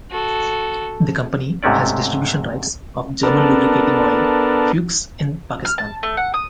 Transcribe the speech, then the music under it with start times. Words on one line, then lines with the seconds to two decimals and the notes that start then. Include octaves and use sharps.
The company has distribution rights of German lubricating oil Fuchs in Pakistan.
0.11 F#4 A4
1.63 G#2 C3 A3 C#4 D5
3.23 B3 D4 A4 A#4
5.65 F6
5.78 A5
6.03 A3
6.17 F#5
6.34 D#6